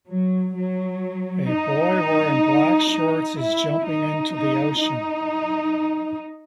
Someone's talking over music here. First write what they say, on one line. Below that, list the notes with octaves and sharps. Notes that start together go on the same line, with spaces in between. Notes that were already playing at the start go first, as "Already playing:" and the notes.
A boy wearing black shorts is jumping into the ocean.
F#3
F#3
D#4
D#4
E4
D#4
D#4
D#4